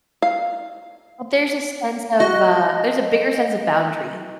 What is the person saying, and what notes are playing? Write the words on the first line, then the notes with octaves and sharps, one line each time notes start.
But there's a sense of, uh there's a bigger sense of boundary.
F5
F#4 D#5